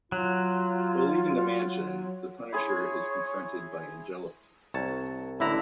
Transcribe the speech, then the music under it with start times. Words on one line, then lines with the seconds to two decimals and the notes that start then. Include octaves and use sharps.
While leaving the mansion, the Punisher is confronted by Angela.
0.12 F#3 F4
2.52 E4 G#4 C#5 C6
4.74 C2 C#5 A5
5.40 A1 D3 E4 A#5